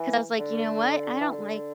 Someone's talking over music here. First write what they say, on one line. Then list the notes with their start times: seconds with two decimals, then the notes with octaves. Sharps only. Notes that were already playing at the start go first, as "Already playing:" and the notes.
'cause I was like, "You know what, I don't like
Already playing: E3
0.38 D3
1.20 E3
1.32 D3